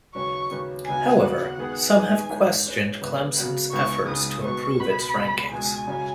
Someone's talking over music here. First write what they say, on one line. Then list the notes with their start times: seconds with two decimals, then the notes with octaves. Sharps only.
However, some have questioned Clemson's efforts to improve its rankings.
0.15 D#2 C#3 F#3 C#4 B4 C#6
0.51 D#2 C#3 F#3 C#4 B4
0.86 D#2 C#3 B3 F#4 G#5
1.22 D#2 C#3 B3 F#4 F#5
1.58 D#3 B3 G#4 B4
1.94 D#3 B3 G#4 B4 G#5
2.29 G#2 G#3 C#4 B4
2.66 G#2 G#3 C#4 B4
3.01 C#3 F#3 B3 F#4 B4
3.36 C#3 F#3 B3 F#4 B4
3.72 C#2 C#3 G#3 B3 D#4 C#6
4.08 C#2 C#3 G#3 B3 D#4 D#6
4.43 B2 B3 F#4 B4 C#6
4.79 B2 B3 F#4 B4 B5
5.15 C#2 B2 G#3
5.51 C#2 B2 G#3 G#5
5.87 F#2 C#3 F#3 C#4